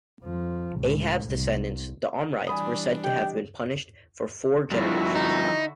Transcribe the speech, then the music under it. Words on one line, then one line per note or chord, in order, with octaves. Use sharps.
Ahab's descendants, the Omrides, were said to have been punished for four generations.
F2 F3
C#2 A2
C2
E3 G3 D4 G#5 B5 D#6
G4 D#5 G5
G2 D3 F3 E4 F#4
D#4